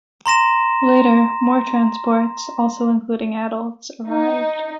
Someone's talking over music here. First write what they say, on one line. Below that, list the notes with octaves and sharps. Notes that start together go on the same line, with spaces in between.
Later, more transports, also including adults, arrived.
A#5 C6 A#6 E7
D#4